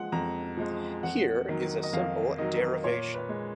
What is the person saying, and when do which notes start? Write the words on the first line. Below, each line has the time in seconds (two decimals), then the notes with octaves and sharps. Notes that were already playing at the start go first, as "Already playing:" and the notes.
Here is a simple derivation.
Already playing: F3 G#3 F#5
0.12 F2 A#5
0.57 F3 G#3
1.03 F2 F#5
1.49 D#3 F#3
1.83 D#5
1.93 F2 F5
2.38 D#3 F#3 D#5
2.84 A#2 C#5
3.14 B4
3.29 G#3